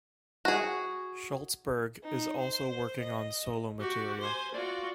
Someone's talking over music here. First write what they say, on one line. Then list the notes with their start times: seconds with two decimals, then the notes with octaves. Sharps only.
Schultzberg is also working on solo material.
0.45 F#4 G#4
2.03 D#4
2.39 C5
2.99 D#5
3.80 F#4 G4
4.20 C5 G#5
4.54 F4 F#4 D5